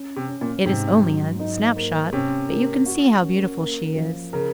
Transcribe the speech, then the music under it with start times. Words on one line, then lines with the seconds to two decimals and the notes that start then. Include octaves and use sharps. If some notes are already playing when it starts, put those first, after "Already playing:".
It is only a snap shot, but you can see how beautiful she is.
Already playing: C#4
0.16 C3
0.28 C#4
0.41 A#2
0.65 G#2 C3
1.02 F#3
1.40 D#4
1.76 A#3
2.13 C3 C#4
2.49 A#3
2.86 F#4
3.23 C#4
3.60 A#3
3.96 F3
4.33 C#3 A#4